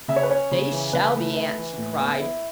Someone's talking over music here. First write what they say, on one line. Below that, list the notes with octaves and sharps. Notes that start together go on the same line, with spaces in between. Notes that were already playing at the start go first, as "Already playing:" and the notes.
"They shall be, aunt!" she cried.
C#3 E5
C#5
B4
C#4 C#5
C#3
E3
C#3 B4
A3
E4
E3
A2
B3
E4